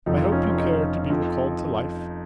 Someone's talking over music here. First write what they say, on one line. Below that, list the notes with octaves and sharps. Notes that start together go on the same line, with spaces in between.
"I hope you care to be recalled to life?"
F1 F2 F3 D#4
F4
D#4
C#4
F4
D#4
F2 F3